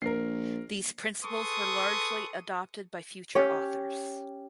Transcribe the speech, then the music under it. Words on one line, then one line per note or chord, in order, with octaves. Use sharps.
These principles were largely adopted by future authors.
A#1 A#4 C7
G#4 A4 B4 C6 C#6 D#6
C#4 G4 C#5